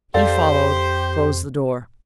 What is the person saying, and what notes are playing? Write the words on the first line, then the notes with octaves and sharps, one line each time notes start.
He followed, closed the door.
F2 G4 A4 C5 D5 F5